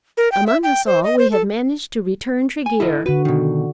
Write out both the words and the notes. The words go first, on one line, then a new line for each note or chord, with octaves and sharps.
Among us all we have managed to return Tregear.
A#4
G5
E5
G5
C5
D#5
C5
A4
G#5
E4 A4 D#5
D3 F#4 B4
B2 D#3